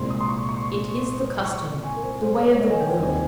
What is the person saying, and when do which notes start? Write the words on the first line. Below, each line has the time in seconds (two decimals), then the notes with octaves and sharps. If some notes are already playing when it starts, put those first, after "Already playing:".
It is the custom, the way of the world!
Already playing: C2 A#2 G#3 C4 C6
0.10 D#6
0.21 C6
0.29 C#6
0.49 C#6
1.45 C#6
1.84 G#5
1.96 A#4
2.03 C5
2.22 C5
2.42 C#5
2.61 D#5
2.70 G#5
2.80 G5
2.99 D#2 D#3 G3 C4 G#5